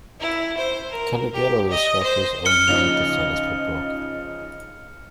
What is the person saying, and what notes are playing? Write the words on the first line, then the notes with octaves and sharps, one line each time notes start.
Calogero describes his own musical style as "pop rock".
E4
C5
A#4
G4
D#5
C5
F6 C#7 G7
C#3 F3 D#4 F7